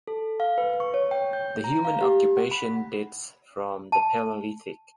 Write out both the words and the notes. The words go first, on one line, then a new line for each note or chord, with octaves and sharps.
The human occupation dates from the Paleolithic.
A4
F5
B4
C#6
C#5
G5
G6
A#5
F5
G4
F#5
B5
A5